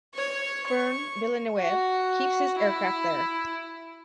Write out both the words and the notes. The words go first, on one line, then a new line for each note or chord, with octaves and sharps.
Fern Villeneuve keeps his aircraft there.
C#5
C#6
F#4
E4